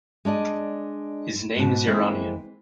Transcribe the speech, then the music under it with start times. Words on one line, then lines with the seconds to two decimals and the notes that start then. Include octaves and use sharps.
His name is Iranian.
0.25 G#3 D4 D5 D#5
1.56 G#2 B2
1.87 E3 G#3 A#3 C4 E4